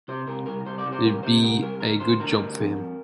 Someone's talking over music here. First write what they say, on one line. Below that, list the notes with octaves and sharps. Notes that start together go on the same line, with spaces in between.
It'll be a good job for him.
C3 C5
C3 A#4
C2 A#4
C2 C5
D5
C3
C5
C2 A#4
C3 C5
C3 A#4
C2 A#4
D2 A#4
D2 C5
D3 A#4
D2
F2
F2